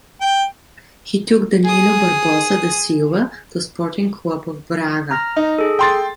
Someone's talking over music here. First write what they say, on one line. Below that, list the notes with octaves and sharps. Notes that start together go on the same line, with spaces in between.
He took Danilo Barbosa da Silva to Sporting Club of Braga.
G5
G#4 D#6
A#5 F6 A#6
D#4
G#4 A4
G5 C6 A6